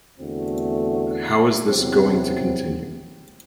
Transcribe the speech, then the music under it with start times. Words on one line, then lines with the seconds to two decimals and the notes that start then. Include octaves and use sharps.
How is This Going to Continue?
0.18 E2 D3 A3 C4 F#4
1.67 E2 C3 F#3 C4